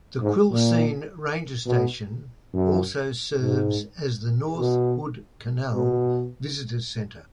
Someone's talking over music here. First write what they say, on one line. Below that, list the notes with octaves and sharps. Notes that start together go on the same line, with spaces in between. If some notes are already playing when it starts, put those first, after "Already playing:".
The Quilcene Ranger Station also serves as the North Hood Canal Visitors Center.
G#2
A#2
B2
F#2
G#2
B2
B2